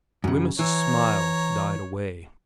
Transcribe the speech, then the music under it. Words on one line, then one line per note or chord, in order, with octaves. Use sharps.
Wemyss's smile died away.
F#2 C#3
E3 C#5 A#5